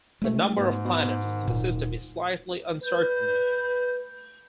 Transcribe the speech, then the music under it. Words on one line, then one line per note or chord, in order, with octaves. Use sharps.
The number of planets in the system is slightly uncertain.
F#1 G#3 A3
G#2 B2
B2
D#3
D1 A#2
B4 G6